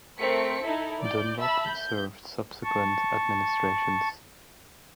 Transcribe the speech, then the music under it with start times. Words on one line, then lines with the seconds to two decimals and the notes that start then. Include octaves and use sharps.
Dunlop served subsequent administrations.
0.19 A3 C4 A#4 B6 C#7
0.63 D#4 E4 A4
1.01 D5 G6
1.40 E5 A5 B5 E6
1.69 G6
2.64 A5 C#6